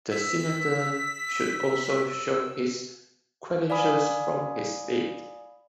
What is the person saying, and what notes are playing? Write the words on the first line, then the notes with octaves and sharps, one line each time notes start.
The senator should also show his credentials from his state.
E6 B6
D5 F5 G#5 B5 D#6